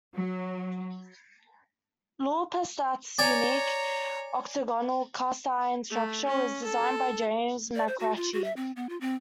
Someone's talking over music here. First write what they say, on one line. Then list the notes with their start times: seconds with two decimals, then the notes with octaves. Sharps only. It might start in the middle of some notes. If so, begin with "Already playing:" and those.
Lau Pa Sat's unique, octagonal, cast-iron structure was designed by James MacRitchie.
0.15 F#3
3.19 C#5 D5 G#5 A#5
5.90 A3
6.27 C#4
6.64 A4
7.76 D5
7.88 C5
8.00 F#4
8.16 F4
8.33 F#4
8.44 E5
8.57 C4
8.76 B3
8.89 F4
9.01 C4